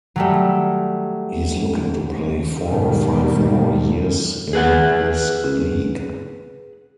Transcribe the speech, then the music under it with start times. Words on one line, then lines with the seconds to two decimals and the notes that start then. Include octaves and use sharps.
He's looking to play four or five more years in this league.
0.16 F#3 G3 A3
2.68 G#2 B2 D#3 G3
4.53 G#4 B4 F#5